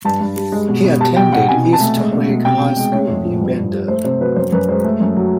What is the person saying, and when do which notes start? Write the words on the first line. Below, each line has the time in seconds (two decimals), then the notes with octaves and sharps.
He attended East Wake High School in Wendell.
0.05 G2 A5
0.21 G2
0.36 G3
0.52 G#3
0.69 B2
0.85 B2
1.01 G3 A5
1.16 B2 G5
1.32 B2 F#5
1.48 C3 G#5
1.65 C3
1.73 A5
1.81 A3
1.97 G#3
2.13 B2
2.29 B2
2.44 C3 G5
2.61 C3
2.76 G#3
2.92 A3 C#5
3.08 F2
3.25 F3
3.40 G2
3.57 G2
3.73 G3
3.88 A3 C5
4.04 C3 C5
4.21 F#3 B4
4.36 F#2 C5
4.52 F#2 B4
4.69 G#3 C5
4.84 A3
5.00 F#2
5.16 F#3